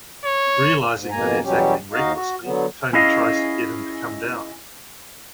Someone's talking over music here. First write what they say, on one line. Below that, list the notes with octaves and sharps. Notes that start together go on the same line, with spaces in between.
Realizing that he is acting recklessly, Tony tries to get him to come down.
C#5
G#2
F2 B2 A#3 G#5 A#5
E2 B2 F#3 G3 C#4 G4
D#2 D#4 F#4 D#5 F5
F#4
D3 F#3 B3
C#4 E4 G#4 D#5 F5